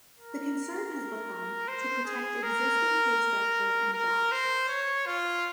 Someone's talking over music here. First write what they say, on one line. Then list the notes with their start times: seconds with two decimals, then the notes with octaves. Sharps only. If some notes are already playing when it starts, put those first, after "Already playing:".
The concern has become to protect existing pay structures and jobs.
0.17 A#4
1.68 C5
2.05 G#4
2.43 A#4
3.93 A#4
4.31 C5
4.68 C#5
5.06 F4